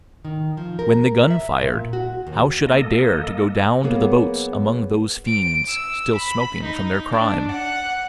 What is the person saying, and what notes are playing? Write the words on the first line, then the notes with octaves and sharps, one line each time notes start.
When the gun fired, how should I dare to go down to the boats among those fiends, still smoking from their crime?
D#3
F3
A#4
E5
A#2
F#4
D#2
A#3 A4 D#5
F#3 A#3 B3 G#4 A#4
D7
E6
B5
D#4
D4
F#5